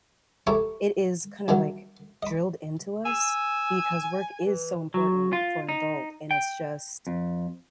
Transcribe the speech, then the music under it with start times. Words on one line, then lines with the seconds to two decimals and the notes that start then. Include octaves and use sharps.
it is kind of, like, drilled into us because work is so important for an adult and it's just
0.47 E4 G4 A4 A#4 C#5
1.48 G2 D#3 E3 F#3
2.23 D#5 B5
3.05 G#5 E6
4.44 E3
4.94 F#3
5.33 F4
5.69 D#4
6.31 G5
7.07 F2